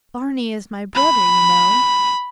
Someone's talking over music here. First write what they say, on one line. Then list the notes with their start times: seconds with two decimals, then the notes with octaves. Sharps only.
"Barney is my brother, you know."
0.95 B5